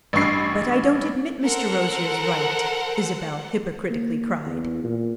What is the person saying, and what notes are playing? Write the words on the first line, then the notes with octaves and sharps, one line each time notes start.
"Ah, but I don't admit Mr. Rosier's right!" Isabel hypocritically cried.
A1 G2 C#6 C7
A4 A#4 C5 F#5
A#3
E2
A#2